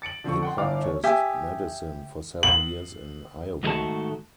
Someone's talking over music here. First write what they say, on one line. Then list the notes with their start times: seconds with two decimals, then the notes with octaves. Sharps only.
He practiced medicine for seven years in Iowa.
0.02 A6 C#7 D7 F#7
0.24 D3 F3 C4 F4 A4 C#6
0.43 F#5 G5 C6
0.58 G1 E4 D5 F5 D6 F6
0.84 C#5
1.04 G4 E5 G#5 D#6
2.43 F#7
3.63 G#2 D#3 F#3 A3 F#4 A5